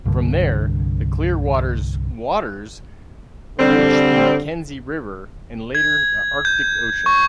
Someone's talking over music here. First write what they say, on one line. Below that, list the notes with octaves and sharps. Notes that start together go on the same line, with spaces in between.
From there the Clearwater's waters reach the Mackenzie River and later the Arctic Ocean.
C2 G2 D3
D3 G3 C4
G#6
G6
C#6